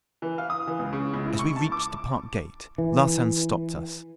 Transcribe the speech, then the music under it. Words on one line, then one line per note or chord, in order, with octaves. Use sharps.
As we reached the park gate, Larsan stopped us.
E3
F5
D#6
E3
C#2
C#3
C#2
E4
C#6
A5
D6
E3